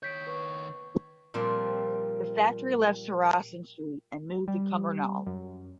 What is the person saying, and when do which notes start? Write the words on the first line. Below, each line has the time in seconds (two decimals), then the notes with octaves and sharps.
The factory left Saracen Street and moved to Cumbernauld.
0.03 D#3 C#5 G6 B6 D7
0.27 B4 C#6
1.34 A#2 F3 G3 C4
4.48 G3
5.27 F#2